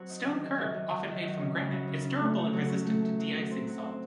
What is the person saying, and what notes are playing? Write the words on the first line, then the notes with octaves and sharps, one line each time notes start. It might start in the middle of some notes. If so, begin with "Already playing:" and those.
Stone curb, often made from granite, is durable and resistant to de-icing salt.
Already playing: F#3 C4
D#4
D#3
D#3
F#2
F#2
D#3
D#3
F#3
C#4
C#3
F#3
C#3
C#4
A3
A3
F#3
C#4
A3
A3
F#3
F#3
C4
F#3
C4